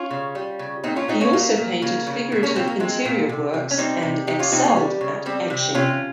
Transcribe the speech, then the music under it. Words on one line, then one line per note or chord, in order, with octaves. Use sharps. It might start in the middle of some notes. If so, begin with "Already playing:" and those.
He also painted figurative interior works and excelled at etching.
Already playing: C#4 F4
C#3
G3
C#3
A#2 C4 D#4
C#4 F4
A#2 C4 D#4
A#3 C#4
A#2 A#3
A#2
C#3 A#3
C#3
A#2
A#3 C#4
A#2 C4
A#3
G#3 C4
A#2
C3
C3
C#4
G3 C4 D#4
C3
C3 D#4 G4
C#4 F4
C3 C4 D#4
A#3 C#4
G3
C#3
G3 C4
C3
C3 C#4 F4